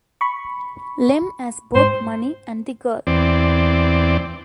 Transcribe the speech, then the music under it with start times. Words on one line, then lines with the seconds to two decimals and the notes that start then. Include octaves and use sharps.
Lem has both money and the girl.
0.21 B5 C#6
1.75 G#2 C5
3.07 E2 C4 D5